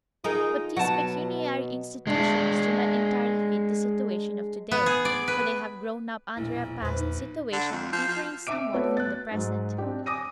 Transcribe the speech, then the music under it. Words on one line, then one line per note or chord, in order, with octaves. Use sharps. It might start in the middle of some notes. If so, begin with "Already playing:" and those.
But these pecuniary institutions do not entirely fit the situation of today, for they have grown up under a past situation differing somewhat from the present.
D#4 F4 G#4 A#4
B2 F#3 F#5 A5
G#3 D4
B3
G#4
D5
B4
E1 A#1 E4
A#1 E2 B4 C5
D#4
D3
F2
F3
F3
C4 E5 D6 D7
A3 B3 F#4 A4 B4 C#5
F#6 A6
G#2 F#3
C4 D4 G4
G#5 D6 D#6 A#6 D#7